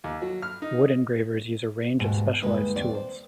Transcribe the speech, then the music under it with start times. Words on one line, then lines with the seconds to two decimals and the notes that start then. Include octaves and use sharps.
Wood engravers use a range of specialized tools.
0.04 D#2
0.22 F#3
0.42 F6
0.62 D#4
1.99 D#2 G#2 B2
2.42 D2 G2 G#3 A#3 D#4 B4
2.75 D#2 C4 D5
2.95 C5